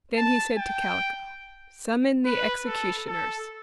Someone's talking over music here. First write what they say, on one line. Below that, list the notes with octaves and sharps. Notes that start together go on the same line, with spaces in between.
Then he said to Kaliko: "Summon the executioners."
A5
G5
B4
A4
A4